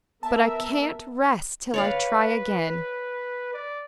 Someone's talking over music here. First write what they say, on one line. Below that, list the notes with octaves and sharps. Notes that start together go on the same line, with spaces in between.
"But I can't rest till I try again."
B3 A#4 E5 A5
B4 C#5 D5 F5
D5